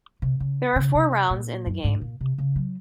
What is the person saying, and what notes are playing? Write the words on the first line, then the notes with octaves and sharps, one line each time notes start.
There are four rounds in the game.
C3
C#3
C#3
C3
A#2
F#2
G#2
A#2
C3
C#3
F#3